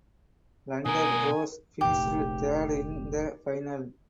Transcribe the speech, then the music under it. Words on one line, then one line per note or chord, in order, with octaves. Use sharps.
London Roar finished third in the final.
B2 A#4 G#5 D#6
F1 A#1 G4